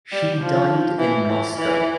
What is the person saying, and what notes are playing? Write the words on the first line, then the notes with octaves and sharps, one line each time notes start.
She died in Moscow.
G3
F3
E3
E3
E3